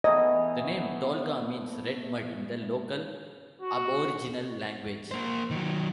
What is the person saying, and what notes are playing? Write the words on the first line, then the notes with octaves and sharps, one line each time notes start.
The name Tolga means "red mud" in the local Aboriginal language.
E3 A3 B3 D#5
F#4
A#3 C5
D#3 F#3